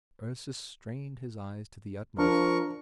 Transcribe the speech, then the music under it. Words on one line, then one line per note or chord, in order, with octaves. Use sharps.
Ursus strained his eyes to the utmost.
F3 D4 A#4 C#6